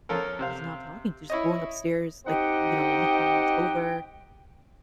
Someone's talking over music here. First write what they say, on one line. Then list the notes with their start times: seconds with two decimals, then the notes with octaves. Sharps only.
just not talking, just going upstairs, like, w you know, when he comes over
0.09 F3 C#4 F4 A4 A#4
0.39 C3 C5 F5
1.30 E4 C#5 D#5
2.26 C4 D#4 G4 D#5 F#5 G5